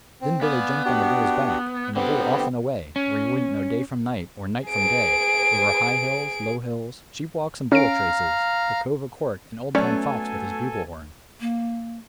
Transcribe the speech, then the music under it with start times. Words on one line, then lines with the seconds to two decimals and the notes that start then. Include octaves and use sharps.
Then Billy jumped on the bull's back, and the bull off and away, where you wouldn't know day from night or night from day, over high hills, low hills, sheep walks and bullock traces, the Cove o' Cork, and old Tom Fox with his bugle horn.
0.21 C4
0.41 B3 D5 F5 G#5
0.85 D4 F#4 G4
1.95 D3 B3 C4 G4
2.96 C#4
4.69 G#4 D7
7.72 C#4 F5 A#5 F6 D7
9.75 F#3 A3 B3 C#4 A4 D5 G#5
11.41 A#3